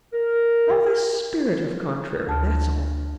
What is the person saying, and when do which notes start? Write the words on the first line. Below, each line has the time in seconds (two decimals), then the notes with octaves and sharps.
All the spirit of contrary, that's all.
0.13 A#4
2.27 D2 A5 F6